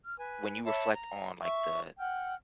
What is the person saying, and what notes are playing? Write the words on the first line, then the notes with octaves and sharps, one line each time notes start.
when you reflect on, like, the,
F6
B4 G#5
C#5 E5 A5 B5
A#5
E5 C#6
F#5 G5 F6